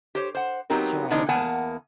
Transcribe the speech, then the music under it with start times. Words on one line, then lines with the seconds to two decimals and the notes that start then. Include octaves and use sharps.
so I was, like,
0.15 G4 C5 C#5
0.35 C5 F#5
0.70 F#3 B3 C4 D#4 G4 A#4
1.10 D3 E3 A#3 D4 D#4
1.29 E2 A#3 B3 F#5 G#5 A5